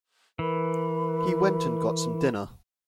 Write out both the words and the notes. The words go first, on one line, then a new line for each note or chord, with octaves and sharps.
He went and got some dinner.
E3 A#4 B4 B5